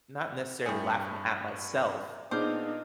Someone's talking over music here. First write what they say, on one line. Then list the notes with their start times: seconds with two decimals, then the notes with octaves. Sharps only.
not necessarily laughing at myself.
0.66 G2 C3 G#4 C#7
2.31 A#2 B3 D4 D#4 G#4 C5 D6 F6